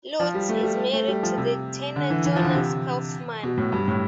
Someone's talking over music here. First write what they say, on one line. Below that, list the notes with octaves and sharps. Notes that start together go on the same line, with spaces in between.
Lutz is married to the tenor Jonas Kaufmann.
F3
G3
A3
G3
A3
G3
F3
C3
D3
E3
E3
F3
D3
C3
B2
A2
G2
A2